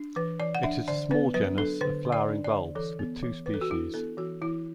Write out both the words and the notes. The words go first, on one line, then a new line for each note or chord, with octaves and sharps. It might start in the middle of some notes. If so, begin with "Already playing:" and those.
It is a small genus of flowering bulbs, with two species.
Already playing: D4
E3 B4
E3 D5
F#5
D4 E5
D3 D5
B3 B4
F#3 B4
D4 A4
D3 B4
D3
D5
D4
D5
D3
E3 A4
B3
E3
E3 B4
A4
F#4
D4 E4
B3 A4
E3 F#4
E3 E4